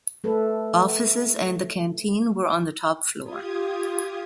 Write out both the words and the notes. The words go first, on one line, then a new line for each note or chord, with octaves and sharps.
Offices and the canteen were on the top floor.
A3 A4 B4
F4 G4 D#6 G#6